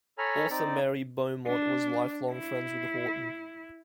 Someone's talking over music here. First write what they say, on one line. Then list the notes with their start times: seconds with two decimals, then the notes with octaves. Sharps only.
Author Mary Beaumont was lifelong friends with Horton.
0.18 A4 C#5 G#5 A#5 B5 F6
0.50 C4 D#4 D5
1.47 D4
2.32 E4